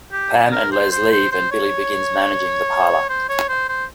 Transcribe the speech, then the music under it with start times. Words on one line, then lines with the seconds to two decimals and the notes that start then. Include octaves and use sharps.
Pam and Les leave and Billy begins managing the parlour.
0.12 G4
0.52 A#4
0.72 C5
0.91 C5
1.12 C5
1.31 C5
1.51 C#5
3.09 C5
3.29 C#5
3.48 C5
3.69 C5